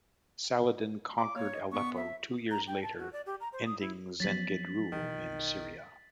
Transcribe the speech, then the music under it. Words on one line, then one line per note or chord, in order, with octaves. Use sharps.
Saladin conquered Aleppo two years later, ending Zengid rule in Syria.
D6
A#3 C#5
D#5
B3 C#6
E5
A#5
G5
A5
F#4
D5
G4
A#5
C5
D#6
E4
F3 F#3 B3 A6 B6 F#7
B1 D#3 E3